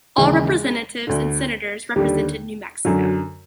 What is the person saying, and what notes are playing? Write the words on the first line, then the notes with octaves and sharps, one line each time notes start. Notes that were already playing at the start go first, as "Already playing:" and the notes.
All representatives and senators represented New Mexico.
D#2 C#3 E3 G#3
D2 D3
D#2 D3 G3
F#2 D3 F#3